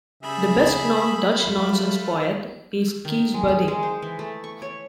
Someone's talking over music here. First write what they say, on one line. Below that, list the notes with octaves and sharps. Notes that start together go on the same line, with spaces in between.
The best-known Dutch Nonsense poet is Cees Buddingh'.
C#3 G3 G#4 E5 B5
F#3 A3 F4
D#3
G#3
G#4
G#3
C5
E3
A3
C#6
C#5